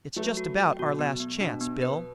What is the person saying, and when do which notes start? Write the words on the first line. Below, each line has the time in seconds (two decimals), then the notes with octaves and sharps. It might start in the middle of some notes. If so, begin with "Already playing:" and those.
It's just about our last chance, Bill.
0.16 F#3 A3 B4
0.37 F#4
0.58 G5
0.79 B2 F#4
0.99 B3
1.20 B3
1.40 B2 D4
1.61 B3
1.82 B4